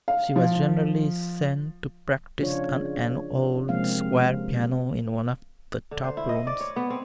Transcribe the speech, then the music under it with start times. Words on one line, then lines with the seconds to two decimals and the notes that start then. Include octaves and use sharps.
She was generally sent to practise on an old square piano in one of the top rooms.
0.08 F5
0.36 F3 F4
2.39 C#3 F3 D4 F4 C#5
3.68 C3 F3 G#3 A#3 C4 F5
5.91 D3
6.04 C5
6.17 E4
6.29 D#5
6.47 D5
6.61 C#5
6.76 B3
6.90 C4